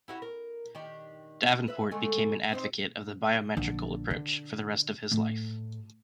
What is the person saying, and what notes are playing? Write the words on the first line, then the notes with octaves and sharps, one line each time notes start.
Davenport became an advocate of the biometrical approach for the rest of his life.
E4 F#4 G4
A#4
D#3 D4 G4
B4 E5
D3 G#3 A3
C4 D#4 C5
A#1 D3
D3
A2